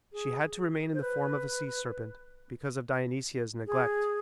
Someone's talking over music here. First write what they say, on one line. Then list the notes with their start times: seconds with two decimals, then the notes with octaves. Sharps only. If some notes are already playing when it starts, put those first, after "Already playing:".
She had to remain in the form of a sea serpent because of Dionysia's neglect.
0.13 G#4
0.94 C5
1.01 B4
3.67 G#4